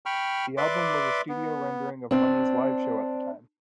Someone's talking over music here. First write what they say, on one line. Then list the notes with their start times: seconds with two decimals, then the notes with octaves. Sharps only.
The album was a studio rendering of Money's live show at the time.
0.06 G5 B5 C#6 F6
0.57 B4 D5 E5 C6 D6
1.29 B3
2.11 C4 D4